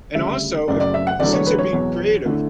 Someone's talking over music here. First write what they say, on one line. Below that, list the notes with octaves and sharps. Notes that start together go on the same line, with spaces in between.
and also if since you're being creative,
D2 C#3 G3 E5
F#1 F#2 C#3 F#3 A3 D5
D5
E5
F#5
E1 E2 D3 F#3 A3 D5
C#5
B4
C#5
E2 B2 F#3
D3 A3 E4